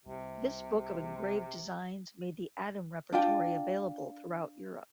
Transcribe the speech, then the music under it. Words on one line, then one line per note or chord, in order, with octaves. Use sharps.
This book of engraved designs made the "Adam" repertory available throughout Europe.
C2 C3
D4 F4 G5